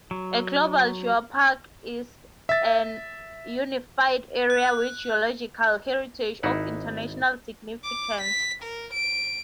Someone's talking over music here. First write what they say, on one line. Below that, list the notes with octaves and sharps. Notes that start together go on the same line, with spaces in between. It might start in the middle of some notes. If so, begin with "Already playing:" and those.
A "Global Geopark" is a unified area with geological heritage of international significance.
F#3
E5 A6
F#6
G#1 D#4 E4 F#5
D6
B6
A#4
D7